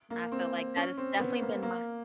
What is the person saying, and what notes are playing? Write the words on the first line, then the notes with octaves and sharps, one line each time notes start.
I feel like that has definitely been my
A#3
C4
C#4
C4
B3
A#3
A#3